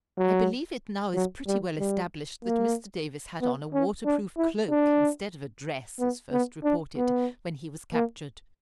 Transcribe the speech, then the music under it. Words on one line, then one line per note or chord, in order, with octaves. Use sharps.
I believe it now is pretty well established that Mr. Davis had on a water-proof cloak instead of a dress, as first reported, when he was captured.
F#3
F#3
G3
G3
A#3
B3
C#4
D4
E4
D4
B3
B3
D4
B3
A#3